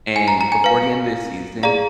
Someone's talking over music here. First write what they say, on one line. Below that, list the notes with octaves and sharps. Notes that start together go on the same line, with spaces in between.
and before the end of the season,
G#5
A#5
A#5
G#5
B4 F5
G#4 D5 F5 A#5